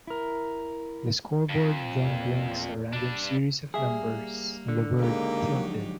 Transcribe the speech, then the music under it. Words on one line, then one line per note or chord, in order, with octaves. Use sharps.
The scoreboard then blinks a random series of numbers and the word Tilted.
E4 A#4
F2
E2 A#2
G3 D4
G3 A#3 G#4 E5
D3
C#3 G#3 A#3 D#4 G4
F3 F#3